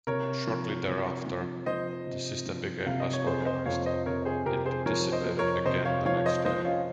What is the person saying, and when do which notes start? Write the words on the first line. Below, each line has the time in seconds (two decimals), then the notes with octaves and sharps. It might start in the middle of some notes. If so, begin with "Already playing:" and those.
Shortly thereafter, the system became less organized; it dissipated again the next day.
0.07 C3 A#4 C#5
0.47 F3
0.87 C3
1.26 F3
1.66 F3 C5 D#5
2.07 C3
2.46 F3
2.86 C3 F5
3.00 D#5
3.13 C#5
3.26 F2 G#4 C5
3.46 C5 D#5
3.66 F2 C#5 F5
3.86 C5 D#5
4.06 C3 A#4 C#5
4.25 G#4 C5
4.46 C3 G4 A#4
4.66 G#4 C5
4.86 F3 A#4 C#5
5.12 C5 D#5
5.26 F2
5.39 A#4 C#5
5.65 C3 C5 D#5
5.85 C#5 F5
6.05 F3 C#5 F5
6.17 C#5
6.26 C5 D#5
6.45 F3 C5 D#5
6.65 C#4 F4